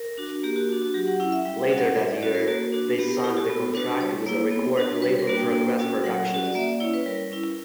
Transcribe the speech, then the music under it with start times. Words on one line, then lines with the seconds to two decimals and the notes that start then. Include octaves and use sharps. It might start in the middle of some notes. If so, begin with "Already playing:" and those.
Later that year, they signed a contract with the record label Progress Productions.
Already playing: A#4
0.18 D4 F#4
0.43 A#3 G4
0.56 F#4
0.69 D4 F#4
0.82 F#4
0.94 F#3 G4
1.07 F#5
1.20 C#4 E4 F#5
1.32 E5
1.45 G3 G5
1.70 C#4 F#4 F#5
1.96 G3 E5
2.09 D5
2.21 C#4 F#4 C#5
2.35 A#4
2.48 A#3 F#4
2.72 D4 F#4
2.99 B3 G4
3.11 A#4
3.24 E4 G4
3.37 F#4
3.50 B3
3.75 D4 F#4 B4
4.00 G3 C#5
4.26 A#3 E4
4.51 B3
4.77 D4 F#4
5.02 G3 B4
5.19 A#4
5.27 A#3 D4 F#4
5.36 G5
5.53 A#3
5.79 C#4 F#4
6.04 F#3 F#5
6.30 C#4 F#4
6.45 D5
6.55 A#3 E5
6.68 D5
6.80 C#4 E4 C#5
6.94 B4
7.06 G3 A#4
7.32 C#4 E4